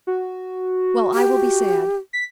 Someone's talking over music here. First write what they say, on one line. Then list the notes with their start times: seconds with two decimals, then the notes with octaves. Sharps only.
"Well, I will be sad."
0.07 F#4
1.14 G4
2.13 B6